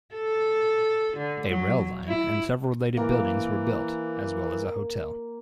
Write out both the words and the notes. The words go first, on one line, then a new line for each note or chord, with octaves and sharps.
A rail line and several related buildings were built as well as a hotel.
A4
D3
F#3
E4
E3 A#3